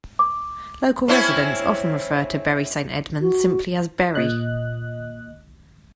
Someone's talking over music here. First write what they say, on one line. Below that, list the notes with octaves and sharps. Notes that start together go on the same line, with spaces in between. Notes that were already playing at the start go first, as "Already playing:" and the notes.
Local residents often refer to Bury Saint Edmunds simply as "Bury".
D6
C4 C#4 E4
F#4
A#2 D#5 F#6